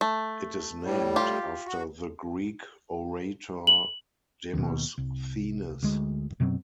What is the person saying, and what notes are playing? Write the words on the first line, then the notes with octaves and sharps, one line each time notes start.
It is named after the Greek orator Demosthenes.
A3
A2 G3
F4 G4
F#4
F#7
D#2 B2
C2
D2 G#3
F#2 B2 F#3 C4